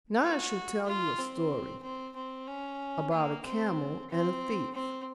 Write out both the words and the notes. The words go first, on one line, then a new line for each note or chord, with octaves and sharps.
Now I shall tell you a story about a camel and a thief.
F#4
F4
C4
C4
C4
C#4
A#3
C4
C4
C4